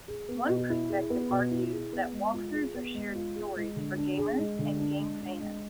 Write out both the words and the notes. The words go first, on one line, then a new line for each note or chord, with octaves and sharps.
One perspective argues that walkthroughs are shared stories for gamers and game fans.
G#4
B3
B2
E4
G#4
B3
B2
E4
G#4
B3
G#3
F4
G#4
B3
G#3
F4
G#4
G#3
D3
D4
G#4
G#3
D3
D4
G#3
D4
G#3